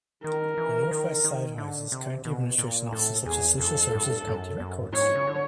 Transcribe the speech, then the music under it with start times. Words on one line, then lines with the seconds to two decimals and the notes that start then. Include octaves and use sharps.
The Northwest side houses county administrative offices such as social services and county records.
0.23 D#3 A#4
0.57 E3
0.91 D#3
1.24 D#3
1.58 D3
1.92 C3
2.25 B2
2.58 A#2
2.92 A2 A4
3.26 E2 G#4
3.59 F2 A4
3.93 G2
4.27 F#2
4.60 F#2
4.93 G#2 C#5
5.15 C#3
5.27 D3